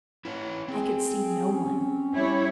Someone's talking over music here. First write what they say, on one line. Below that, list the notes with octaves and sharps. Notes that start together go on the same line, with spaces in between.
"I could see no one."
E4 B4 C#5
C4 G#4
C#4
G3 E4 C#5